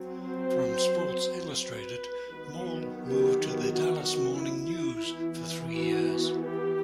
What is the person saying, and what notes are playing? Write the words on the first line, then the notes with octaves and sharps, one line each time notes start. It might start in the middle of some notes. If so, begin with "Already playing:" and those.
From "Sports Illustrated", Maule moved to "The Dallas Morning News" for three years.
Already playing: F#3 C4
C5
B4
D#3 F#3 B3
G4
F#4
E4
E3 B3
F#4
G4